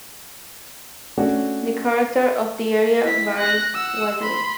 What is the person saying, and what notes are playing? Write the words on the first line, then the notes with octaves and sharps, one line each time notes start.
The character of the area varies widely.
A3 C#4 D4 F#4
E4 B6
F#6 A#6
F#5 E6
B5 C6